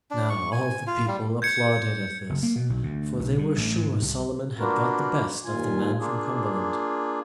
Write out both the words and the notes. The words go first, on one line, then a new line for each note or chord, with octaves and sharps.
Now all the people applauded at this, for they were sure Solomon had got the best of the man from Cumberland.
D4
C#6
G#5
F4
G3
G6 G#6 C#7
F#1
A#3
B2
B1
D2
B1
G2
A1
G#2
C2
A#3 D4 F4 F#4 A#4 B4
D#2 A#2 F4 G#5
A#3 D4 F4 G#4